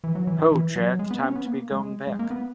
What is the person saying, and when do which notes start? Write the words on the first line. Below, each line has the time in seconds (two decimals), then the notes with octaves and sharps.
'Ho, Jack, time to be going back.
0.04 E3
0.15 F#3
0.27 E3
0.39 D#3
0.52 E3
0.76 F#3
0.99 G#3
1.11 B3
1.23 C#4
1.35 B3
1.47 A#3
1.72 G#3
2.07 G#3
2.19 A#3
2.31 B3